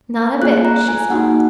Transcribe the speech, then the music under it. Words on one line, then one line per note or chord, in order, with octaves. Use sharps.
"Not a bit," she smiled.
A#3 F4 G#4 F#6
A#5
G#5
A#3 D#4 F#4 F#5